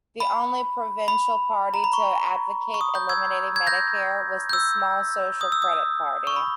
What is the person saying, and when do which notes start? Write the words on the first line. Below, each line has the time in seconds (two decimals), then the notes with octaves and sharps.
The only provincial party to advocate eliminating Medicare was the small Social Credit Party.
0.20 B5
1.08 B5
1.74 A#5
1.84 B5
1.93 C#6
2.74 C#6
2.81 D#6
2.95 G6
3.09 E6 G#6
3.56 G#6
3.67 G6 A#6
4.49 G6
4.53 E6
5.41 D#6
5.52 E6
5.62 D#6
6.27 C#6
6.36 B5